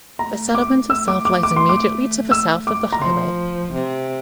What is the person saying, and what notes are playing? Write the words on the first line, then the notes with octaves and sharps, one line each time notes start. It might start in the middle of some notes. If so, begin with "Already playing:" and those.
The settlement itself lies immediately to the south of the highway.
A3 A#5
D6
A3 E6
D6
D6
D6
C6
D6
E6
D6
A#5
F3 C6
C3